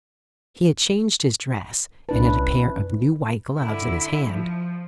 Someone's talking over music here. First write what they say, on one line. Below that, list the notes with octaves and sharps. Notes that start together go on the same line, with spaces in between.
He had changed his dress, and had a pair of new white gloves in his hand.
C2 C#4 D4 E4 B4 A5
D3 E4
F3